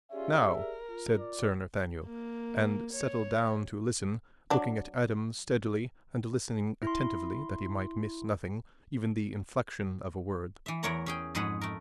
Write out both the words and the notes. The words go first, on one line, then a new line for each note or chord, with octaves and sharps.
"Now!" said Sir Nathaniel, and settled down to listen, looking at Adam steadily and listening attentively that he might miss nothing--even the inflection of a word.
C#4 F4 G4 G#4 D5 E5
A#4
F4
D5
A#3
C#5
F#3 D4
E4 C6
E3 E5
E2 E4 A#4 C#5 F#5 A#5
C#4 G#4 G5
F2 G#2 G#3 G#4 B4 F#5
A3 A#4